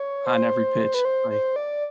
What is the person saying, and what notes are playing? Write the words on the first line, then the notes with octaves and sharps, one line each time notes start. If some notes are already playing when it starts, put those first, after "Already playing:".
on every pitch, like,
Already playing: C#5
C5
B4
C5
C5
D5